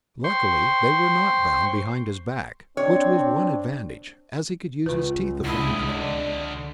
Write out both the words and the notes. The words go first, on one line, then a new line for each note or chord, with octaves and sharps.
Luckily they were not bound behind his back, which was one advantage, as he could use his teeth upon them.
C5 G5 C6 C#6
C4 D4 C#5
C#2 F4 B4
D3 E4 D#5
D5